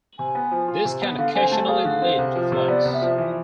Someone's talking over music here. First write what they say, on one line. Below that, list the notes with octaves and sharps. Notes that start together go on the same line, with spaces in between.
This can occasionally lead to floods.
C3 G#5
B3
F3
F4
C3
B3
D3 F5
C4 G#5
A3 A5
G#4 F5
D3
C4
C2
F3
C3
B3 D5
C2
E5
F3
E3 E5